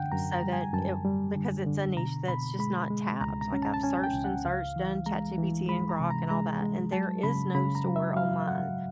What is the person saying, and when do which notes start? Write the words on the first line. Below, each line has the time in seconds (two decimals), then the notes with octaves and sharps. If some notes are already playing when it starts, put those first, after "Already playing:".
so that it because it's a niche that's just not tapped, like, I've searched and searched, done ChatGPT and Grok and all that, and there is no store, online,
Already playing: F#2 D3 F#5 G5
0.12 F#2 A#5
0.32 A#5
0.43 G3
0.53 G#5
0.74 F#2 A5
1.05 G3
1.36 D3
1.66 D3
1.97 B2 A#5
2.28 B2 B5
2.59 G#3 B5
2.90 G#3
3.21 C#2 A#5
3.41 A#5
3.52 C#4
3.62 A5
3.74 A5
3.83 C#4 G#5
4.04 G5
4.14 C#2
4.24 F#5
4.45 C#2 F5
4.76 E3
5.06 G#3 A#5
5.38 E3
5.68 G#3 B5
5.89 A#5
6.00 C3
6.10 A#5
6.30 G#3 A#5
6.62 G#3
6.92 F#3 A5
7.23 C#3 B5
7.55 C#3 B5
7.75 A#5
7.85 F#3
7.96 E5
8.16 F#3 F5
8.47 F#3 F#5